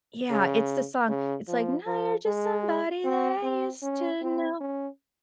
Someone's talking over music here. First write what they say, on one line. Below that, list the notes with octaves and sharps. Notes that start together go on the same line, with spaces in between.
yeah, it's the song. It's, like, Now you're just somebody that I used to know,
C#3
C#3
F3
F3
G#3
C4
C4
C#4
C4
C#4